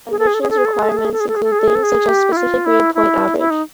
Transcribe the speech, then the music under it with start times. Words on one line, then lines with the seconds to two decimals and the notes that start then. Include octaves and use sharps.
Admissions requirements include things such as a specific grade-point-average.
0.11 G#4
0.19 A4
0.27 G#4
0.34 A4
0.42 G#4
0.50 A4
0.58 G#4
0.65 A4
0.73 G#4
0.82 A4
0.89 G#4
0.97 A4
1.04 G#4
1.13 A4
1.20 G#4
1.29 A4
1.36 G#4
1.44 A4
1.52 G#4
1.59 A4
1.67 G#4
1.75 A4
1.83 G#4
2.08 G4
2.32 E4
2.37 F4
2.66 E4
2.95 E4
3.39 E4
3.50 D#4